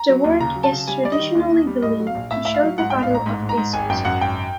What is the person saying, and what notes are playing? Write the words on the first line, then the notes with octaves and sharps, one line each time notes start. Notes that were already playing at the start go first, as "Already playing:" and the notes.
The work is traditionally believed to show the Battle of Issus.
Already playing: A#5
F#3
D#2
C#3 A#5
F#3
A5
C#3
G3 G#5
G3 D5
D#5
D#3
D#2
D#2
G3
A2 D#5
F#3
F5
A#1
A2 E5
A2 E5
F5
F#3
G#2 F#5
G5
A1
F5
A1 A#5
G#2
G#2
A#5
G#2
G#1 G#5
F#2 G5
F#2 F#5
G#1 G5